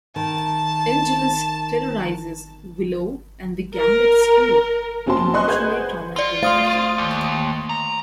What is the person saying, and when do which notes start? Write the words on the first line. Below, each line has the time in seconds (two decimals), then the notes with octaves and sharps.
Angelus terrorizes Willow and the Gang at school, emotionally tormenting Buffy.
0.16 D#3 A5
3.75 A#4
5.06 F#1 C4 C#4 F#4 A5 C6
5.34 D#5 G#5 C6 C#6 F#6
5.48 G#4 B4 C5 F#5 G6 G#6
6.16 F4 D5 C6
6.43 A3 C5 F5 C6 D#6 A6
6.98 D#2
7.69 A#5